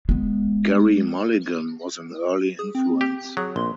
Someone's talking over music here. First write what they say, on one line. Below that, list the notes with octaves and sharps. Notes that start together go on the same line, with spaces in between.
Gerry Mulligan was an early influence.
G#3 B3
G#4
C4
G4
F#3 G#4
A#1 C6